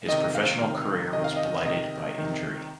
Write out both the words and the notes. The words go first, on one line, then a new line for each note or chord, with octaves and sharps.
His professional career was blighted by injury.
C3 D#3 D#5
F5
C3 D#3
C3 D#3 D#5
F5
D#5
C3 D#3 D#5
C3 D#3